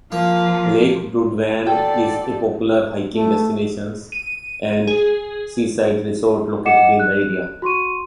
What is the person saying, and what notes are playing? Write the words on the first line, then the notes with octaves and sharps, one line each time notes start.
Lake Burudvann is a popular hiking destinations and seaside resort located in the area.
F3 A#3 F5
F#4 A4 D5 G5
A3
D#7
G#4
D#5 F#5 D6 C#7 E7
F#6
F#4 C6 C#6 D#7